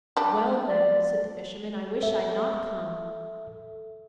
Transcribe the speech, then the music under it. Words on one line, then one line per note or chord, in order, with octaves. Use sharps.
"Well, then," said the fisherman, "I wish I'd not come."
G3 D4
D5
A4 E5